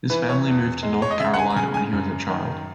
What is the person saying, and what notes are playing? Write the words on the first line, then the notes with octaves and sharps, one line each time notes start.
His family moved to North Carolina when he was a child.
E3 B4
C#5
E2
G#3
C#5
D#5
C#3 E5
F#5
G#5
A#5
C#3 G#5
G#5
F#2
D#3